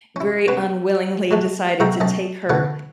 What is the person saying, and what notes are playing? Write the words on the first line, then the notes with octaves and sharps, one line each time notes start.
very unwillingly decided to take her
C#4 E4
B3 C#4 B4
F#3 G#3 A3
B1 G#3 F#4 E5 G5 A#5
B1 A#2 C#4 D#5 A5
B2 D3 A3 C#4 B4 F#5